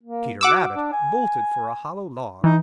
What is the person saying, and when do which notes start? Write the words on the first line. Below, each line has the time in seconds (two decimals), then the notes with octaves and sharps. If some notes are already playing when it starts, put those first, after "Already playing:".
Peter Rabbit bolted for a hollow log.
0.03 A#3
0.41 F#4 F#5 D6 E6
0.74 D4
0.93 G#5
2.44 E3 D#4